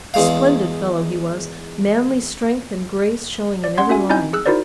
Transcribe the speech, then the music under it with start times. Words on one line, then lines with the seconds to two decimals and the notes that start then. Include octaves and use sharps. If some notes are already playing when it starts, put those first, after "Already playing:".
A splendid fellow he was, manly strength and grace showing in every line.
0.14 E2 G#3 F5
3.64 D5
3.77 C#4 F#5 C6 G#6
3.89 C#4 F#4 E5 G#5
4.09 C4 D#4 E4 D#5 G#5 G6
4.33 G#4 E6 F#6
4.46 D#4 E4 F#4 A#4 C5 D5